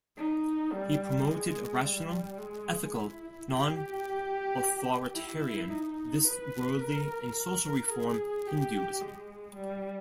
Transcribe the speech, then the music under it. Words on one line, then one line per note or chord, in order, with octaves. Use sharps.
He promoted a rational, ethical, non-authoritarian, this-worldly, and social-reform Hinduism.
D#4
G3
G#3
G3
G#3
E4
G4
E4
D#4
B4
A#4
A#4
G#4
G4
G#3
G3